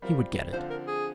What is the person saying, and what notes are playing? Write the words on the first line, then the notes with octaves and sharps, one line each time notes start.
He would get it.
G3 C4 F4 A#4
D3 F3 C4 F4 C5
A#4
G#4